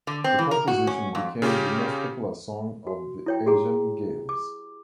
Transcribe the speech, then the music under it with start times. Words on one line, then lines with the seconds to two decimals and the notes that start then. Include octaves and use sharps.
The composition became the most popular song of the Asian Games.
0.07 D3
0.24 C4
0.38 E3
0.51 A#4
0.68 F#4
0.87 C#4
1.15 F2
1.42 C#3 C#4 F4 G4
2.87 F#4
3.26 E4 C#5 G5
3.46 G4 G#4 A#5
4.29 D6